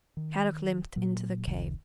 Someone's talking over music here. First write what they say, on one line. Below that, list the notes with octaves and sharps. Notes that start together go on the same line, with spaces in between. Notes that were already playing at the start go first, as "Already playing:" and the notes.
Kadok limped into the cave.
D#3
A#2 F#3
F1 C#2 C3 D#3